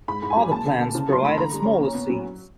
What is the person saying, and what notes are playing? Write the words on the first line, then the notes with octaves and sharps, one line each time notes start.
Other plants provided smaller seeds.
G#2 B5
G#2
G#5
F#3
A#3 A5
D3
A#3
C#3
F#3 C6
A3 B5
D3 A#5
G3
C#4
A#2
B3
F#3